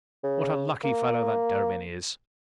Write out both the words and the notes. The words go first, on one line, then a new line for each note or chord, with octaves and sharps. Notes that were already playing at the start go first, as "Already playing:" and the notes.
What a lucky fellow that Derebin is!
C#3
A#3